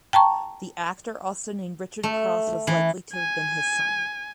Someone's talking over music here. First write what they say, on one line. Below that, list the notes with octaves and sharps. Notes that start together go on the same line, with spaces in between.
The actor also named Richard Cross was likely to have been his son.
G5 A5 A#5 C#6
A3
E3
G#5